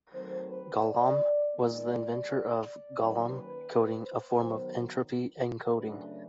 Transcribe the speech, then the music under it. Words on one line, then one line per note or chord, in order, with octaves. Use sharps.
Golomb was the inventor of Golomb coding, a form of entropy encoding.
D#3 F#3 A3 C4 C5
B4
D5
D#3 G#3 B3 D5
D5
D#3 F#3 A#3 C#4
B4
C5
D#3 F#3 B3
F#2 C#3 F#3 A3 D4 B4